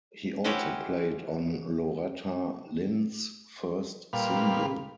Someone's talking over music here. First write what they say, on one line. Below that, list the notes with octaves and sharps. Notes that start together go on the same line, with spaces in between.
He also played on Loretta Lynn's first single.
C#4 E4 F#4 G4 B4 C5
A#2 G3 B4 F5